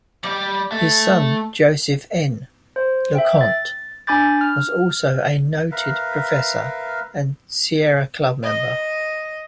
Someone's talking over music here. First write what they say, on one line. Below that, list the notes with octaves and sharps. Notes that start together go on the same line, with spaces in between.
His son, Joseph N. LeConte, was also a noted professor and Sierra Club member.
G3 D5
A3
C5
E5 G5
A6
D4 G#5 B5 D6 G6 A6
F6
A#4 B4 E5 F5
D#5